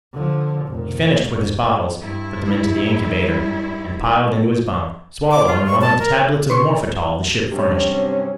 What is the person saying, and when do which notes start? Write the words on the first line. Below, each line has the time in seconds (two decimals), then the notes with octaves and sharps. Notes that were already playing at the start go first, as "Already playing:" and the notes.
He finished with his bottles, put them into the incubator, and piled into his bunk, swallowing one of the tablets of morphetal the ship furnished.
0.13 D3 F3
0.66 F1 A#2
1.16 G#2
2.00 G2 E4
5.31 D6
5.47 F4
5.66 C#6
5.81 A5
5.99 A#4
6.50 B4 C6 C#6
7.52 G2 C3 F#3 C4 C#4